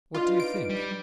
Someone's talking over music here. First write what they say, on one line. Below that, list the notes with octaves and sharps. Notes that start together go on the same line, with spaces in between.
What do you think?
D4 D#4 F4 B4
D7
G3